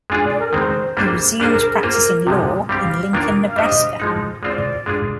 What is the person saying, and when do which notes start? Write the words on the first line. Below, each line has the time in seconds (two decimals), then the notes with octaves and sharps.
He resumed practicing law in Lincoln, Nebraska.
0.10 G#3 D4 F4 G#4 G#5
0.25 D5
0.38 A#4
0.53 D#3 G#3 C4 C5
0.97 G3 A#3 D4 G#4 C5
1.40 G3 D4 G#4 A#4 C5
1.51 A#4
1.61 A#4
1.72 G#4
1.83 A#3 F4 A#4 C5
2.27 C3 F3 G#3
2.69 G3 C4 G4 F5
3.13 D#3 A#3 D4 F4 A#4
3.47 F5
3.56 G3 D4 G4 C5 D#5
4.00 F3 G#3 D#4
4.43 G#3 C4 F4 C5 D5
4.86 G#3 D4 F4 G#4